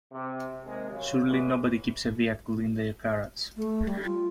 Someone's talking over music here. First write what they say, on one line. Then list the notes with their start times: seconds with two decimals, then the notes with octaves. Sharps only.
Surely nobody keeps a vehicle in their garage?
0.12 C3
0.63 D#2 C3 D#3 G#3
0.91 C2 F#2 C#3
1.28 E3 F#3 G#3 A3
3.57 A3
3.86 G3
4.05 F4